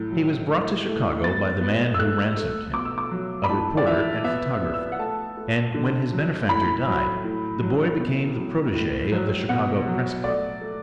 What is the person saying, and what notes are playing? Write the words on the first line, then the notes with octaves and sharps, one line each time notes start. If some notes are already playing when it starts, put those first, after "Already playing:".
He was brought to Chicago by the man who ransomed him, a reporter and photographer, and when his benefactor died, the boy became the protege of the Chicago Press Club.
Already playing: A2 F#3
F#3
A3
A3
B3 A6
B3
E6
A3 F#6
A3
B2 D6
E6
D6
F#3
B5
A2 A5
D5
E3 E5
B3 E5
B3
E6
F#5
A3 A5
A3
D3
F#3
A2 B5
F#3
A2
F#3
B2
F#3
A2
F#3
B2 F#5
F#3
A3 D5
A3